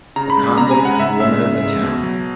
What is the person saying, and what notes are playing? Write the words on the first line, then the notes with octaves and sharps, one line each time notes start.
A convict and a woman of the town.
C#3 A#5
B5
G#3
B5
C#3 A#5
G#5
G#3
F#5
C#3 E5
G#3 E5
C#3
G#3
B2
F#3